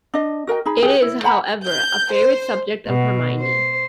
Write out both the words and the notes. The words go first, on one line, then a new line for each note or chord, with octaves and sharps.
It is, however, a favourite subject of Hermione.
D4 D#5
F#4 A#4 D#5 G5
D#4 G#4 B5
G4 G#4 B4 G5
E4
C5 F#5 A#5 B5
G6
C5
B2
C5